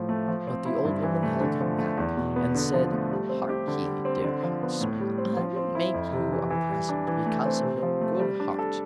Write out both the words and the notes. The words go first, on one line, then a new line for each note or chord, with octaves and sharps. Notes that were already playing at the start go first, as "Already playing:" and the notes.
But the Old Woman held him back, and said: 'Hark ye, dear Huntsman, I will make you a present because of your good heart.
Already playing: A2 F3
A3
F3
C4
E4
G2
E3
A3
D3
F3
A3
E2
B2
B3
D3
F3
A3
G3
C4
G4
D3
G3
C4
D3
F3
B3
A2
G3
C4
F3
C4
E4
F2
C3
E3
E3
G3
D4
E3
A3
C4
C3
F3
A3
G3
D4
A4